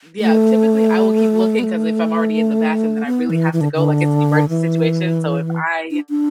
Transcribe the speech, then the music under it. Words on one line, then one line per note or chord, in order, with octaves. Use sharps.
yeah, typically, I will keep looking 'cause if I'm already in the bathroom, then I really have to go, like it's an emergency situation. So if I
A3
B3
A3
B3
E3
E3
D3
D3
E3
D4
D4